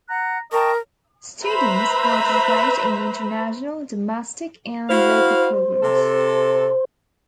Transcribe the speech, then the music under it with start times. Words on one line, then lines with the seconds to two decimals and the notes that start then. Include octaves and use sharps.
Students participate in international, domestic, and local programs.
0.10 F#5 A#5 F#6
0.52 A#4 D#5 G5 A5 C#6
1.45 B4 C5 E5 A#5 B5
4.89 E4 F#4 C5 F5
5.82 C3 A4